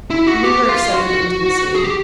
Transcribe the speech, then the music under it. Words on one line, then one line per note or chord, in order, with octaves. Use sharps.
He never accepted intimacy.
E4
F#4
G4
F4
F#4
G#4
G4